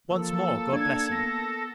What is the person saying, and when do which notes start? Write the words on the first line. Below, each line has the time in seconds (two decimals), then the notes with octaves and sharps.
Once more, God bless you!
0.11 F3 A#3 A4 E6
0.73 D4 G#6
1.12 B3 A#6